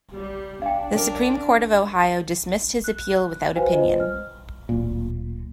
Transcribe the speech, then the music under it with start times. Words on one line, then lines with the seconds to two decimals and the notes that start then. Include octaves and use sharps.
The Supreme Court of Ohio dismissed his appeal without opinion.
0.12 G3
0.62 D4 F5 G5
0.96 A#4 D5
2.84 F#6
3.56 F#4 B4 C5 F5 G5 G#5
3.69 F4 C5 D#5
4.00 F6
4.69 D1 A#2